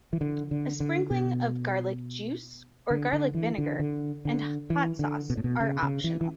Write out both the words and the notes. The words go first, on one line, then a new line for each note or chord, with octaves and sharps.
A sprinkling of garlic juice, or garlic vinegar, and hot sauce are optional.
E3
D3
D3
D3
B2
D3
D3
E3
D3
D3
D3
E3
D3
B2
A2
B2
C#3
C#3
E3
E3